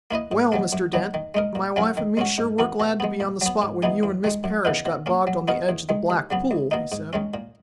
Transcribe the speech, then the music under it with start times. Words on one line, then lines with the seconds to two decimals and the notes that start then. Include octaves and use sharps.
"Well, Mr. Dent, my wife and me sure were glad to be on the spot when you and Miss Parrish got bogged on the edge of the Black Pool," he said.
0.11 A#3 E4 B4 D#5
0.32 G#2
0.52 D#3 F#3 A#3
0.73 F#2
0.93 D#3 F#3 B3
1.14 D#3
1.34 G#3 D#4 A#4
1.55 A#2
1.76 F#3 C#4 E4 A#4
1.97 D#3
2.17 G#3 C#4 F#4
2.38 G#2
2.59 E3 B3 F#4
2.80 B2
3.00 G#3 B3
3.20 A#2
3.41 F#3 B3
3.62 G#2
3.82 E3 B3 D#4 G#4
4.03 E2
4.24 D#3 G#3
4.44 F#2
4.65 C#3 E3 B3 D#4
4.86 B2
5.06 A#3 C#4
5.27 F#3
5.48 B3 D#4 F#4 A#4
5.69 E2
5.89 D#3 G#3
6.10 D#2
6.31 C#3 F#3 B3
6.51 C#2
6.71 B2 A#3 D#4
6.92 G#2
7.13 D#3 G#3 C#4
7.34 A#2